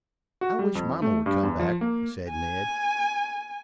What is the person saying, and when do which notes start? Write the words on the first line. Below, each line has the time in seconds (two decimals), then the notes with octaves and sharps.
"I wish mamma would come back," said Ned.
0.41 F#4
0.59 G3
0.75 F2
1.02 A3
1.26 G2
1.43 E2
1.59 F3
1.81 A#3
2.30 G#5